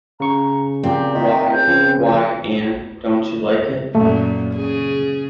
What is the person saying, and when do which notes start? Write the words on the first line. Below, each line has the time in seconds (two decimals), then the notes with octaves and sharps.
Why — why — Anne, don’t you like it?
0.20 C#3 A#5 C#6
0.83 A#2 C4 G4
1.15 D#3 E5
1.52 C#2 G6
1.67 C#3 F3
3.95 F#2 A#2 A3
4.55 C#3 G#4